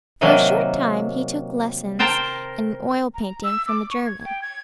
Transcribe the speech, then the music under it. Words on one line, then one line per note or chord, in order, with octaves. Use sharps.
For a short time he took lessons in oil painting from a German.
C3 D#3 F#3 A#3 G#5
A#4 C5 G5 A5 A#5
A#5
E6
D6
C#6
G#6
G5
G#6